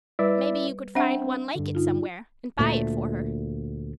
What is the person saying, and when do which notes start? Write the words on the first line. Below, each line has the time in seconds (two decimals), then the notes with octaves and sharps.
"Maybe you could find one like it somewhere and buy it for her."
0.19 G3 E4 B4 D5 E5
0.95 C4 D4 E5 F#5
1.56 G2 D3
1.75 D#4 F4
2.59 D2 A#2 A3